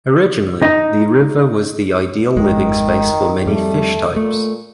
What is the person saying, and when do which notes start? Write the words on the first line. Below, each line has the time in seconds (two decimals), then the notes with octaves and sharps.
Originally the river was the ideal living space for many fish types.
0.62 D#4
2.36 G#1 F2 D#3 G#3
3.46 F2 G3 A3
4.16 A#2 A3